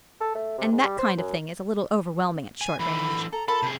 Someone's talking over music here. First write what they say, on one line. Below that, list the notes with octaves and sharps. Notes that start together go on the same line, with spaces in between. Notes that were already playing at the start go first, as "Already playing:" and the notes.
And that kind of thing is a little overwhelming at short range.
A4
A3
C3
G#2
G3
C5
F#2
G#5
D3 E3 B5
A4 A#5
F4 A4 A#4 A5 B5
C3 G#4